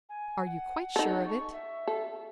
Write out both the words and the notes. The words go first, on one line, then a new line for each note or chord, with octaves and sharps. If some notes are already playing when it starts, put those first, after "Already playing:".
"Are you quite sure of it?"
G#5
F#5
D#4 A4
C#6
E5
A4